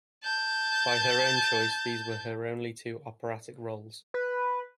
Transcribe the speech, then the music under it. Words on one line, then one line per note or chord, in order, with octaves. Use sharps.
By her own choice, these were her only two operatic roles.
A5 G6
B4